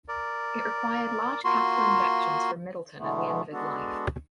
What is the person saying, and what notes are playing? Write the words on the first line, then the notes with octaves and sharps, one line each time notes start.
It required large capital injections from Middleton at the end of his life.
A#4 D5
A#3 F4 F#4 C6
B2 D3 E3 G#3 A3 B3
G#3 B3 D4 F#4 A4